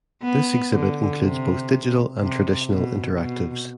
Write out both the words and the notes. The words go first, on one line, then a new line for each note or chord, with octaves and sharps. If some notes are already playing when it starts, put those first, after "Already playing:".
This exhibit includes both digital and traditional interactives.
B3
D3
C3
C3
B2
B2